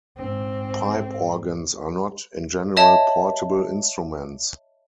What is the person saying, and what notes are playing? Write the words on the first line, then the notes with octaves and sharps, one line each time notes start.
Pipe organs are not, in general, portable instruments.
G#2 C4
C#5 D#5 E5 A5